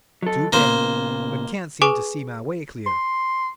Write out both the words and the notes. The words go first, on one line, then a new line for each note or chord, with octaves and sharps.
Too bad; but can't seem to see my way clear.
F#3 A4
A#2 C#3 A#3 B3 C5
G#4 B4 G#5 C#6 D6 F7
C6